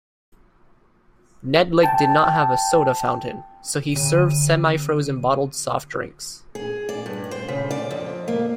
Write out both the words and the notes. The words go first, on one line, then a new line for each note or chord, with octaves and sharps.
Knedlik did not have a soda fountain, so he served semi-frozen bottled soft drinks.
G5 A5
D3 D#7
G#4
D5
G2
C5
C#3
D5
F2
A#3